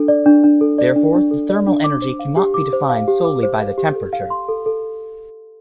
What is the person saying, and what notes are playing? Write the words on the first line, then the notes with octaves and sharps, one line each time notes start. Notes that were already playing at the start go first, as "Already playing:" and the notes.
Therefore, the thermal energy cannot be defined solely by the temperature.
Already playing: D4 A4
D5
D4
D4
A4
D5
D4
D4
A4
D5
D4
D6
C5
F5
G4
D6
C5
F5
G4
D6
C5
F5
G4
A4
F5
C6
A4
A4